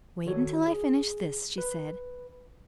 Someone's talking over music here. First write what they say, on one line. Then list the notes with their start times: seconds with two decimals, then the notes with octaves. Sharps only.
"Wait until I finish this," she said.
0.26 D#3 F#4 A4 C#5
0.67 G#4
1.58 B4